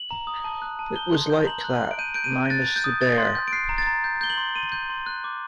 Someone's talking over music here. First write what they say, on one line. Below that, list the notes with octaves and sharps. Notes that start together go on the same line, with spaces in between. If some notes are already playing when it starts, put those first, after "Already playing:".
It was like that... minus the Bear.
Already playing: F#7
A#5
D#6
A5
F#6
A5
G6 G7
C6
G6
A#5 F#7
F#6
F#6
D7
G6 D#7
G6 D7
D#7
G6
F#6 A6
F#6
G6
D#6
G6 A6
C6
G6
D7
F#6 C7
A#5
A6
A#5
G6
G6 G7
F#7
C6
C6 D#7
G6
C6
F#6
D6